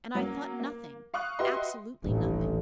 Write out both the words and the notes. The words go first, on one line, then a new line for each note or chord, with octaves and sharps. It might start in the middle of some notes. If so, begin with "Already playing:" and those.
And I thought nothing; absolutely nothing.
F#3 A#3 C#4
A#3
F5 C#6 D#6 F#6
F#4 G4 B4 D#5 E5 C6
D#1 A1 G2